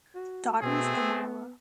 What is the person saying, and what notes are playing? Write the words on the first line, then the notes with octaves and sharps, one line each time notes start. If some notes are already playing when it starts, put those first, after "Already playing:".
Daughters Amala.
F#4
B2 A3 C4 G#4
B3